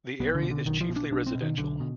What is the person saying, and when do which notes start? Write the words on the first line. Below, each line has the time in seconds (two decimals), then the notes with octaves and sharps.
The area is chiefly residential.
0.20 B1 B3
0.35 D3
0.43 B2
0.51 D3
0.65 B1 D#3
0.81 F3
0.89 B2
0.96 D4
1.11 B1 D4
1.27 C4
1.35 B2
1.42 D#3
1.58 B1 D3
1.80 B2